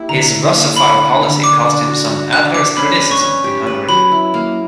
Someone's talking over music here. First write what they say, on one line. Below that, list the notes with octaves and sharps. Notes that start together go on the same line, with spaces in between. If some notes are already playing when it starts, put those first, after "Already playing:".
His Russophile policy caused some adverse criticism in Hungary.
Already playing: A#3 E4 G4
D3 A#5
D3
A#3
D4 B5
D4
D3
D4 D6
D4
F#4
F#4
D4 F#6
D4 D6
C#4 B5
B4
C#6
C#4
G4
B4
F#3 B5
E4
A#3